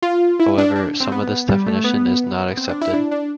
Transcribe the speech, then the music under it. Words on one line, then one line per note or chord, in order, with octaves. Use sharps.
However, some of this definition is not accepted.
F4
E4
D4
D4
C4
B3
G3
A3
B3
C4
D4
E4
D4
D4